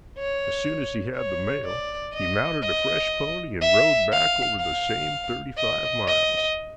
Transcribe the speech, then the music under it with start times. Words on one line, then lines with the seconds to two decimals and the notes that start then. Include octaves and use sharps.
As soon as he had the mail he mounted a fresh pony and rode back over the same thirty-five miles.
0.19 C#5
1.16 C#5
1.65 D5
2.15 D#5
2.63 D#5
3.61 E5
4.12 F5
4.60 F5
5.58 D#5
6.08 D#5